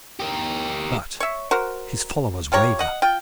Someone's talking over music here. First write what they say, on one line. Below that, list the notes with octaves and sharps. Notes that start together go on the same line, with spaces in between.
But his followers waver.
G4 A#4
C#5 E5
F#4 A#4 C5
F4 G4 C#5 A#5
D#5 F#5
F4 G5